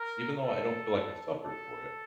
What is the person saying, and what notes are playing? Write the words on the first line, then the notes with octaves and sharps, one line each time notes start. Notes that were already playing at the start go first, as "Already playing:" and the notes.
even though I don't feel like I suffered for it.
Already playing: A#4
A4
A4